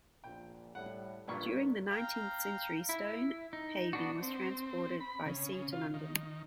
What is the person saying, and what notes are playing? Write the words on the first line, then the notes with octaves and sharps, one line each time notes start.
During the nineteenth century stone paving was transported by sea to London.
A#1 A#2 G5
A2 G3 F#5
G2 A#2 D4 A#4 B4 C#6
F5 G5 A#5
E4
D#4
B3 D4 F#4
C4
B5
C#3
F4
D#3